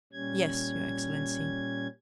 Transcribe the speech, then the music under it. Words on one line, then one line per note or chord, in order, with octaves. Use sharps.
"Yes, your excellency."
A#2 G3 C#4 G#6